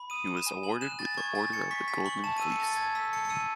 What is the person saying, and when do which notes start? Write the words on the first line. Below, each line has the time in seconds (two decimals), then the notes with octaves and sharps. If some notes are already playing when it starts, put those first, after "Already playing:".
He was awarded with the Order of the Golden Fleece.
Already playing: B5
0.10 D#6 D#7
0.28 D#6
0.37 E7
0.46 G#5
0.63 G#5 F#7
0.81 F#6 E7
0.99 G#5 A6
1.17 C#6 G#6
1.35 G#5 A6
1.52 G#5 C#7
1.71 C#6 B6
1.88 G#5 B6
2.05 C#6 F#7
2.24 A5 E7
2.38 E6 D#7
2.51 C#7
2.60 A5 A6
2.77 A5 G#6
2.95 E6 B6
3.13 A5 C#7
3.25 C#7
3.30 E6 D#7